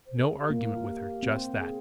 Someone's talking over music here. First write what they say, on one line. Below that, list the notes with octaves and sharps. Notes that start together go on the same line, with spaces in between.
No argument with her--just that.
C5
A#4
G#4
G4
A#3 F4
E4
F4
G4
C4
G#4